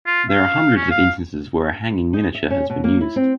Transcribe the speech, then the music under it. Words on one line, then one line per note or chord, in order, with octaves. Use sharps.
There are hundreds of instances where a hanging miniature has been used.
F4
F5
C#4
F5
D#4
E5
C#4
B2
A#3
E4
C4